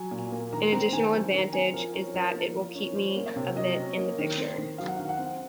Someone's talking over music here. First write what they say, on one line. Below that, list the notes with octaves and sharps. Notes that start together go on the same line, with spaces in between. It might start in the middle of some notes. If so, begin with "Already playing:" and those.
An additional advantage is that it will keep me a bit 'in the picture'.
Already playing: F#3 G#5
A#2
A#3
D#3 A#5
C4 A#5
D#3 G#5
F#3
D#3 A#5
C4 G#5
F3 A#4
C#4 A#4
F3 A#4
A#3
F3
C#4
C#4 C5
A#3
C#5
C3
F#3 D#5
C#4
A#3
D#3
C4
D#3
F#3 F5
F#5
D#3 F5
F#5
C4